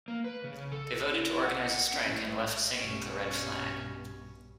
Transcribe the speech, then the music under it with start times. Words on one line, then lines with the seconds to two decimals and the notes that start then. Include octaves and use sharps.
They voted to organise a strike and left singing "The Red Flag".
0.08 A#3
0.24 B4
0.44 C#3
0.72 A4
1.13 E4
1.42 F#5
1.94 C#4
2.09 A2
2.77 G2 B2 C#4